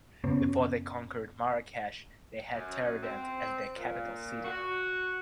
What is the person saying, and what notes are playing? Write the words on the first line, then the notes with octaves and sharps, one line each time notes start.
Before they conquered Marrakech, they had Taroudannt as their capital city.
F#2 C#3 B3 C#4
F#2
C4
A#2
F#4